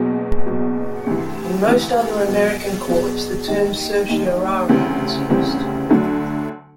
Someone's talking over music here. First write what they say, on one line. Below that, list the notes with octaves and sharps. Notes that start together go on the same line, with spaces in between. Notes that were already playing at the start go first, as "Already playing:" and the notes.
In most other American courts, the term certiorari is used.
Already playing: F#1 E2 B2 F#3
F#1 E2 B2 F#3
D2 C3 E3
D2 C3 E3
E2 B2 F#3
E2 B2 F#3
D#2 D#3 G3
D#2 D#3 G3
D2 C#3 E3 G3 C4
D2 C#3 E3 G3 C4
D2 D3 F#3 A3